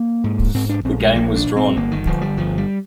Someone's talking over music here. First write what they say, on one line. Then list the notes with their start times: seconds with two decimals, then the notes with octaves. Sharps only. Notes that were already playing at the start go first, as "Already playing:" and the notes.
The game was drawn.
Already playing: A#3
0.24 G#2
0.54 G#2 C4
0.69 D4
0.85 A#1 C4
1.00 G#3
1.15 A#1 A#3
1.36 D4
1.46 A#1
1.56 C4
1.77 G1 A#3
1.91 D#3
2.07 G1 F3
2.21 G3
2.37 G1 F3
2.58 G3